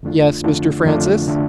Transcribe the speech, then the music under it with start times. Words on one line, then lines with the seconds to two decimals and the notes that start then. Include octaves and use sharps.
"Yes, Mr. Francis?"
0.03 F2 D3 A3 D4 F4
0.44 F2 D3 A3 D4 F4
0.86 F2 D3 A3 D4 F4
1.27 D3 A3 D4 F4